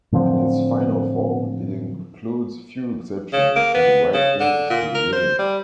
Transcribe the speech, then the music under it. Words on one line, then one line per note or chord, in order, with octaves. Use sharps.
In its final form, it includes few exceptions to the rightful exclusivity.
A2 D3 F3 C4
C#3
A#3
B3
C#3
D3
A#2
A#4
C5
G3